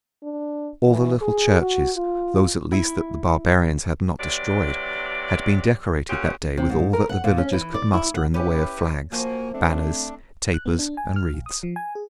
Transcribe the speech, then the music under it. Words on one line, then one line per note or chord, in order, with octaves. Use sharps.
All the little churches--those at least that the barbarians have not destroyed--had been decorated that day with all that the villages could muster in the way of flags, banners, tapers and wreaths.
D4
E3
G#4
F#4
F4
E4
C3 E3 F#3 D5
A#2 A#3 C#4 F#4 G4
C3
G#2
A#4
F#5
A#2
C#4
E3
D5
E4
F#5
C#4 E4 G4 B4
F3 A#3 F#4 C5 G#5
A3 C4 D4
F#6
B3
D4
G#5
F6
A#1
D#6
F3
G#5
G#4